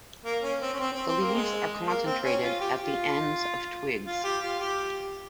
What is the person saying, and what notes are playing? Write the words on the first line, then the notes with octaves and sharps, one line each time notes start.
The leaves are concentrated at the ends of twigs.
A#3
C#4
C4
C#4
C4
C4
C4
A#3
G#3
A#3
C4
C#4
F4
G4
F4
F4
G4
F4
G4